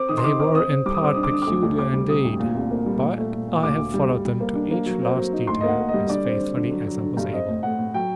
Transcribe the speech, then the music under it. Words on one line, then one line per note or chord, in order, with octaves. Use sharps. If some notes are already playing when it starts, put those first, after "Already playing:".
They were in part peculiar indeed, but I have followed them to each last detail as faithfully as I was able.
Already playing: C4 D6
D#3 D#6
C6
D#3 D6
C4 D6
C4 D#6
C4
G3 D6
D#6
C4 D6
D4 D#6
D6
D3 D#6
D6
D2
D2
C4 D6
G3
C3 D#6
D2
A#2
C2
A#3
G3
A#2
A3
A#2
A#2
D2 D6
D2
G3
G3
G3
A#3
D4
A#3
F#3
C4
F#3
D#4
D2 C6
D#5
A#3 F#5
A#3
D#5
G3
D3 D5
C4
D3
D3
F#3
F#3
D3
G2
C4 D#5
A2
A2 F#5
A2
F#3 G5